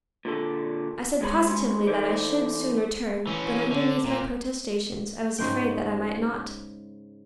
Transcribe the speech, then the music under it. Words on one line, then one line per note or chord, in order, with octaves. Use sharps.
I said positively that I should soon return, but underneath my protestations I was afraid that I might not.
A#2 D3 A4
D#2 G#3 C5 B5
E3 D#4 A4 C5 D5
E3 C#4
D3
A#2
G#2 C#3 G#3 G5